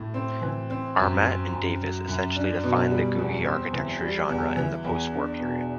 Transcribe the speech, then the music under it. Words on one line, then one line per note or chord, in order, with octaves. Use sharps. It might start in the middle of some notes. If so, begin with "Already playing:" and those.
Armet and Davis essentially defined the Googie architecture genre in the post-war period.
Already playing: A2
C4
E3
C4
F#2
C4
F#2
F#3
F#2
D4
B2
G3
E2
C4
E3
G3
E2
E3
E2
D4
B2